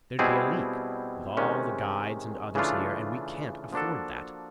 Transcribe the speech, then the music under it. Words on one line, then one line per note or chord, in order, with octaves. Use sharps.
There'd be a leak, with all the guides and others here, and we can't afford that.
B2 G3 C4 E4 G#4
C3 D#3 G#3 C#4
C#3 E3 A3 D4 F4
F3 A#3 D4 F#4 A4